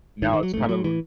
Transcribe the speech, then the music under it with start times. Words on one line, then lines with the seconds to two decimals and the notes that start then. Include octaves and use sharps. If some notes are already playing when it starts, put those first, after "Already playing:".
Now, it's kind of
0.22 G#1 G#2 D#3
0.33 D#3
0.43 F#3
0.53 A1 G#2 A3
0.69 F#3
0.84 A2 E3